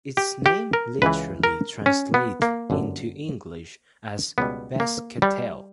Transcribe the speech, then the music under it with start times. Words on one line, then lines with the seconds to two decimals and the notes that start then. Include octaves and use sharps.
Its name literally translates into English as "Basque-Tel".
0.17 G4
0.46 G4
0.73 A#4
1.02 C#2 C#3 E3 B4
1.44 A#4
1.86 C#4
2.14 B3
2.42 A#3
2.70 G1 F#2 D3
4.38 C#2 B2 G3 B3
4.80 A#3
5.22 G3